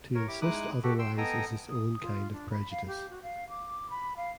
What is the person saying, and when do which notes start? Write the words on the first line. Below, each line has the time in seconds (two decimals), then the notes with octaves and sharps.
To insist otherwise is its own kind of prejudice.
0.15 A#4 C#5
0.27 E4 G4 D6
0.41 G#3 D#4 E4 D6 D#6 F#6
0.83 F#4 G4 A4
0.99 G5 C6 E6
1.18 B3 A4 D#5 G5 G#5 A#5
1.70 D#6
2.02 F4
2.32 D4
2.51 B5
2.71 F5
2.87 G4
3.10 F#4
3.23 F5
3.49 D6
3.90 B5
4.16 F5